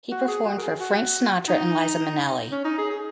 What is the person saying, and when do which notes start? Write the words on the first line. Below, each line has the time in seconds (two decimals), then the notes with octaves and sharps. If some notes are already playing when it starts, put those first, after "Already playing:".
He performed for Frank Sinatra and Liza Minnelli.
0.11 F#4
0.28 G#4
0.45 F#4
0.57 A#4
0.62 G#4
0.80 F#4
1.48 D#4
2.52 C#4
2.65 D#4
2.78 G#4
2.90 G#4